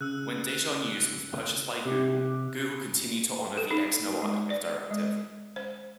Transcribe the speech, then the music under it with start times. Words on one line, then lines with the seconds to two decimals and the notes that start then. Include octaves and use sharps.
When DejaNews was purchased by Google, Google continued to honor the X-No-Archive directive.
0.01 C#3 E6 F#6
1.85 C3 G4
3.58 A4
3.71 D#4
4.22 G#3
4.50 D5
4.91 G#3
5.56 C5